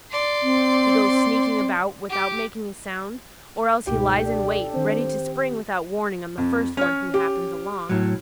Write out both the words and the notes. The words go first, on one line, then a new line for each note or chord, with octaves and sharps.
He goes sneaking about, without making a sound, or else he lies in wait, ready to spring without warning on the first one who happens along.
D5 C6
C4
G4
C#2 G#2 B2 G4
D4 A4 D5
D#3 C4 C5
F2
C#4 C#5 F6
G4
A2 F#3